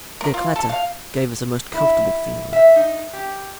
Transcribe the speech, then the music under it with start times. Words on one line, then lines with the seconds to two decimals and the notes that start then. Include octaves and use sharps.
Their clatter gave us a most comfortable feeling.
0.21 A#4
0.34 F4
0.56 A4
0.69 F5
1.74 E4
2.53 E5
2.76 D#4
3.13 G4